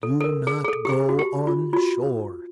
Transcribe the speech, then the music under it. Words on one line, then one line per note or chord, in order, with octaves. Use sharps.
Do not go on shore.
A4
A4
A#4
G#4
G#4
A4
G4
G#4
F#4
G4
F4
F4
F#4